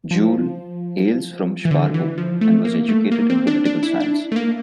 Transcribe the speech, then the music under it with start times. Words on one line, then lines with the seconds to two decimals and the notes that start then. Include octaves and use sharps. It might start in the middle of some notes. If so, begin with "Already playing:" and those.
Juul hails from Sparbu, and was educated in political science.
0.11 F3
1.65 E3
1.71 D3
1.94 E3
2.18 F3
2.41 A3
2.65 A#3
2.89 A3
3.12 A#3
3.30 C4
3.47 D4
3.65 D4
3.83 E4
4.00 D4
4.32 A3
4.36 A#3